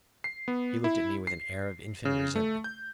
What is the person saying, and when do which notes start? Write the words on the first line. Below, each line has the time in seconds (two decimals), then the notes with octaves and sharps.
He looked at me with an air of infinite resentment.
0.24 C7
0.48 B3
0.84 E4
1.27 C7
2.05 C#3
2.36 A3
2.64 G6